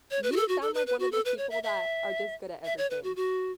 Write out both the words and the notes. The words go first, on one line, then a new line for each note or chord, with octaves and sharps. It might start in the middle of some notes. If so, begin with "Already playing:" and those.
You sound like one of those people that are just good at everything.
C#5
B4
F#4
A4
F#4
A4
B4
B4
F#4
A4
B4
C#5
E5
E5
E5
C#5
B4
F#4
F#4